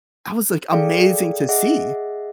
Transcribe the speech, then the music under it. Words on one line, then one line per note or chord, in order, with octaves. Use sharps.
That was, like, amazing to see.
G#4 A4 D5 F5 G5
G#4 D#5 E5 F#5